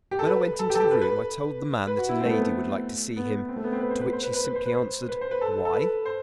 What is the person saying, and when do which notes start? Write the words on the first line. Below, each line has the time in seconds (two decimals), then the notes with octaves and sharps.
When I went into the room, I told the man that a lady would like to see him; to which he simply answered: "Why?"
0.11 G4
0.19 A4
0.26 B4
0.59 A4
0.70 G4
0.75 A4
0.80 G4
0.91 B4
1.02 B4
1.87 B4
1.98 F#4
2.09 E4
2.20 C4
2.25 A3
2.30 B3
2.42 A3
3.16 B3
3.48 C4
3.56 A3
3.64 B3
3.73 C4
3.80 B4
3.90 C5
4.02 B4
4.13 C5
4.23 B4
4.34 B4
4.45 B4
4.55 C5
4.66 B4
4.77 C5
5.09 B4
5.21 C5
5.31 B4
5.41 A4
5.65 A4
5.73 B4
6.05 C5